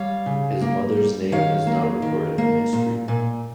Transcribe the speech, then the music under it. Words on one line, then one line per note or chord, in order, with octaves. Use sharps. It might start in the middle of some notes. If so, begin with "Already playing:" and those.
His mother's name is not recorded in history.
Already playing: G3 C#5 F5
C#3
A#3
G3
D#3 C#5 F5
A#3
D#3
A#3
A#2
A#2